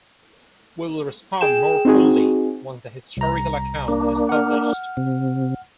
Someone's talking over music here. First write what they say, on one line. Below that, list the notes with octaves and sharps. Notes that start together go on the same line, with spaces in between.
We will respond more fully once the historical account is published.
G#4 G5 E7
C4 D#4 F#4 G#4
C2 A#5
A#3 D4
F#5 F6
C3